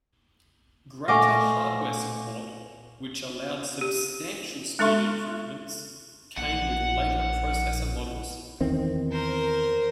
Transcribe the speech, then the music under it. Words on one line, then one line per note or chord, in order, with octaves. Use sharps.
Greater hardware support, which allowed substantial speed improvements, came with later processor models.
A#2 A3 D#5 F5 F#5 G#5 C#6 D6
G4
G#3 D4 A4 E5 C6 C#6
A#1 F#5
E2 D#3 C4
A#4 C5